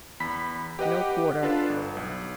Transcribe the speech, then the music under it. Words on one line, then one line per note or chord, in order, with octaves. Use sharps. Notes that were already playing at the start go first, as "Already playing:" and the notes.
No quarter.
E2 B5 B6
G4 B4 D#5 F#5
D4 F4 A4 B4
G1
B1